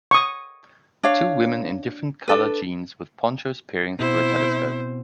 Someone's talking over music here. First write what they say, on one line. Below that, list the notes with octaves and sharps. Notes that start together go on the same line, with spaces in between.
Two women in different color jeans with ponchos peering through a telescope.
C#6 D#6
D4 C#5 F5
D4 A4 B4
B2 C4 E4 C5